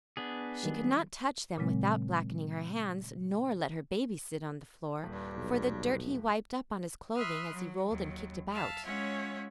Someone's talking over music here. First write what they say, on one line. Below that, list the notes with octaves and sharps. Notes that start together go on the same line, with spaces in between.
She could not touch them without blackening her hands, nor let her baby sit on the floor for the dirt he wiped up on his clothing as he rolled and kicked about.
B3 D4 G#4
D#3 F#3 G3
A#2 C#3 F#3 G#3 C4
D#1 G2
B1
E5 B5 C6 D#6 F6 F#6
F#3
D#2 F#3
E5 F5 A5 F6
G#3 C#4 F4 C#5 E5 F#5